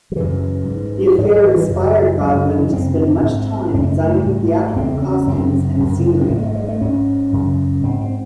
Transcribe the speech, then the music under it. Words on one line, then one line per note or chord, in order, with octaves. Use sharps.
The affair inspired Godwin to spend much time designing theatrical costumes and scenery.
F#3
F#2 C#3 E3
G#2
G#2 F#3
G#3
E3
E3
F#2 C#3
F#2 C#3 G#3
F#2 C#3 C4
G#2
F#2 C#3 C4
A3
G#3
A3
G#2
E2 C#3 C4
C#4
F#2 C#3 C4
F#2 C#3
C4
G#2 A3
G#3
A3
G#3
A3
G#2 C#4
F#2 C#3
G#2 C4
C4